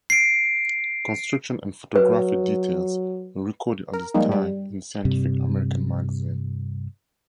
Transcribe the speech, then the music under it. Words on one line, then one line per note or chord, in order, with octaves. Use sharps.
Construction and photographic details were recorded at the time in Scientific American magazine.
C7 D7
F#3 B4
A#4
F3 G3 G#3 A#3 D#4
G2 G3
G2 C3 G3